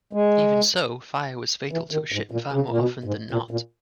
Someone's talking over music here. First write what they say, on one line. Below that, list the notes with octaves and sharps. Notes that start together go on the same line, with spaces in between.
Even so, fire was fatal to a ship far more often than not.
G#3
E3
D#3
G#2
A#2
C#3
A#2
B2
G#2
A#2
A#2